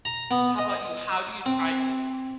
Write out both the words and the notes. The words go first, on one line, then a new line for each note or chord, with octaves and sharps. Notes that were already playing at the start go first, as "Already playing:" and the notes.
How 'bout you? How do you try to,
A#5
B3
D#5
C4